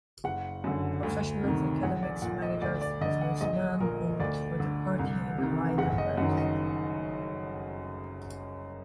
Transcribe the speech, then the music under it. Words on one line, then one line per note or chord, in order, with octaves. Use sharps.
Professionals, academics, managers, businessman vote for the party in high numbers.
F#1 F#5
F#2 D3
D2
C3 D#3
A#1 F#5
D5
A#2 F#5
D#5
D2 D5
D5
D3 D#5
F#5
A#1 D#5
A#2 A#4
D2 D5
D3
C2
C3 D#3
F#1 F#5
D#5
F#2 D#3 F#5
D#5